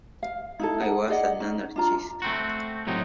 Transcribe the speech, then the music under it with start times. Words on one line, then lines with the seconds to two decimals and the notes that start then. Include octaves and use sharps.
I was an anarchist.
0.23 F5
0.59 D#4 E4 A4
0.80 D#4 F#5
1.09 G#4 D5 D#5 F#5
1.40 C#4 D#4
1.76 D4 F4 A#5
2.22 A3 C4 F#4
2.87 A2 C3 F#3 D#4